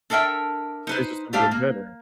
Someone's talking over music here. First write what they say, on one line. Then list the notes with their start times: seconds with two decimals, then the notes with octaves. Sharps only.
replaced with something better
0.10 D4 A4 A#4 E5 G5
0.87 D#4 B4 C5
1.33 A3 D4 G4 C5 D5 F5
1.51 A#3